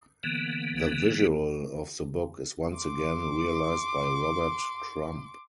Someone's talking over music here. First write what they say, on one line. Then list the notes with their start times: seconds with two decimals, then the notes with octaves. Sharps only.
The visual of the book is once again realized by Robert Crumb.
0.23 D3 E3 A#3 B3
2.77 C6 D6